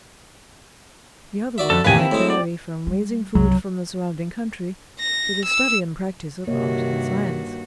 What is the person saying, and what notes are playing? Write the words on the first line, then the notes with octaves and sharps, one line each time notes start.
The other work might vary from raising food from the surrounding country to the study and practice of art and science.
F#4 D5 E5
F2 A4
E2 A2 C3 D#3 A#3 B4 G#5
C4 E4
A2 G#3
D5
G3
C2 F#2 F#3
A#6
E6
G2 C3 D#3 A#3 F#4 C#5 D#5